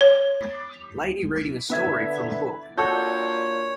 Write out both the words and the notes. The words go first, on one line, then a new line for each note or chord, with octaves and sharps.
Lady reading a story from a book.
C#5
D3 B3 E5 G#6
A#2 D4 F#4 A4 C#5 G6